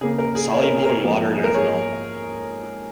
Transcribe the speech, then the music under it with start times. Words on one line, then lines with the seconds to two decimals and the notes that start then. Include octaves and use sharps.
Soluble in water and ethanol.
0.01 C#3 A#3 G#4
0.18 A#4
0.35 G#4
0.53 C#5
0.63 A#4
0.74 G#4
0.85 A#4
1.04 G#2 F3 A#3
1.33 G#4
1.44 A#4
1.54 G#4 C#5